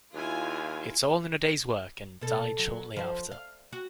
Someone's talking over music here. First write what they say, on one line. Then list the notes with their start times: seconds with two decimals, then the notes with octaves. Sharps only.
It's all in a day's work and died shortly after.
0.14 D#2 E4 F4 G#5
2.21 B2 A4
2.59 F#3
2.96 F3 C5
3.32 F5
3.73 F#4